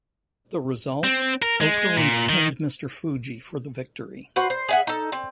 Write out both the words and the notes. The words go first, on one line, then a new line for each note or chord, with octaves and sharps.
The result: Okerlund pinned Mr. Fuji for the victory.
C4
A#4
G#3
A#2
D#3
F#4 B4 C5
C5
G#4 E5 F#5
D#4 A4
C4